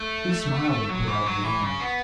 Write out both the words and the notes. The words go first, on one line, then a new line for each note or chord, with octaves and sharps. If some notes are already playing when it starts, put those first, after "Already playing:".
She smiled and put out her hand.
Already playing: A3
F#3
E3
F#3
E3
C#3
B3